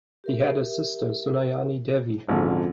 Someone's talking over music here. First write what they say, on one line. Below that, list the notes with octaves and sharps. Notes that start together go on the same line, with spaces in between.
He had a sister, Sunayani Devi.
G4 A#4 E5
G#1 F2 A#2 D3 A#3 C#4 G#4